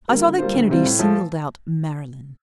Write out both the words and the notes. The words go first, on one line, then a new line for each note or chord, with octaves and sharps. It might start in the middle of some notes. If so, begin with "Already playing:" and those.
I saw that Kennedy singled out Marilyn.
D3 G3 A#3
D3
G3 A#3 F4 C5
D2
C3 G3 C4 F4
A2
F3 A3